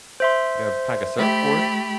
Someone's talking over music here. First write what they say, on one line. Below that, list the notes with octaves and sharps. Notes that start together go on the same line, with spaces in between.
Gotta pack a surfboard.
C5 E5 C6
A3 G4 B5